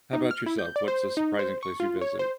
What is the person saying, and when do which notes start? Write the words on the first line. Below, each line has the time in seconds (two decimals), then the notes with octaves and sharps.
How about yourself- what's a surprising place you visited?
0.13 D#4
0.31 F6
0.46 E4
0.59 G6
0.76 D5
0.88 C5
1.17 D#4
1.39 C5
1.63 C#6
1.80 F4
2.01 C#5
2.19 C5